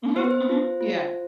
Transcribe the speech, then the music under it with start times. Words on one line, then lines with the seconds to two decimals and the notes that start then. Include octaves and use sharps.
Mhm, mhm, yeah.
0.16 B3 C5
0.24 B4
0.31 C5
0.49 F4
0.81 F4